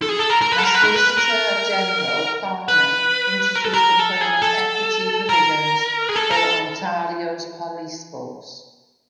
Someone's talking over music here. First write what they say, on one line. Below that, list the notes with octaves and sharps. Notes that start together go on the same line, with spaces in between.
As Solicitor-General, Farnan introduced employment equity provisions for Ontario's police force.
A4
G#4
A4
A#4
A#4
B4
A4
A#4
B4
A#4
B4
A#4
B4
A#4
A4
A#4
A4
G#4
A4
A#4
G#4
A4
A#4
A4